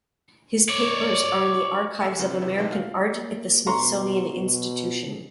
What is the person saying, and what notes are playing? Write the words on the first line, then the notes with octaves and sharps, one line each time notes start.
His papers are in the Archives of American Art at the Smithsonian Institution.
C#5 D5
A4 E5 G#5 E6 C#7
C#3 E3 F#3 A3 C4 D4
E2 C3 E3
B2 D#3 G#3 A3 G4 A4
F5
A#3
B2 A#5 C6 C#6
B2